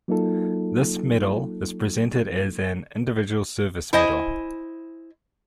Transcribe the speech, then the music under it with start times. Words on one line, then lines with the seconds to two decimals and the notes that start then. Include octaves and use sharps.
This medal is presented as an individual service medal.
0.08 F#3 A#3 D#4 F4 A4
3.93 E4 C5 D#5 G#5